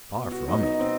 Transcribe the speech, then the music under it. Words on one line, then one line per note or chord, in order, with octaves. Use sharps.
Far from it.
B2
F#4
F#3 B3 D#4
D#4
B2 C4